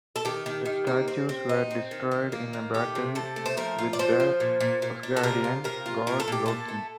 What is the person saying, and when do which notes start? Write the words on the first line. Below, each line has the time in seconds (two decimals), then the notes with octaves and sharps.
The statues were destroyed in a battle with the Asgardian god, Loki.
0.16 A4
0.25 D#3 G4
0.46 D#3
0.66 D#3
0.87 A#3
1.08 C4
1.29 C4
1.49 D#4
1.71 C4
1.91 D#3
2.11 D#3
2.32 A#3
2.53 D#3
2.74 A3 G4
2.95 C3
3.15 C3 A4
3.36 A3
3.46 C5
3.57 F3 A#4
3.79 F4
3.93 D5
3.99 F3 C5
4.20 F3
4.40 A#2
4.60 A#2
4.82 A#2
5.03 D4
5.16 A4
5.23 C3 A#4
5.44 F4
5.64 C3 A#4
5.86 F4
6.07 A#2 A#4
6.20 A4
6.28 A#2 G4
6.46 A#2 A4
6.68 A3